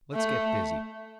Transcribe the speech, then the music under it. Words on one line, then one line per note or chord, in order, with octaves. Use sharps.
Let's get busy.
A3